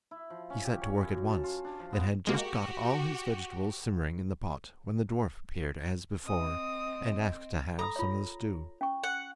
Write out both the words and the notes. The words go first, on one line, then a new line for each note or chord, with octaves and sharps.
He set to work at once, and had just got all his vegetables simmering in the pot when the dwarf appeared as before, and asked to have some of the stew.
E4
F3
C#4
G4
C#5
F#2
A5
F4
D4
F3
B3
G#3 A#3 F#4 G4
C4 D#5 D#6
A4 A#5 D#6
F4 C#5
C#4 C#6
F#5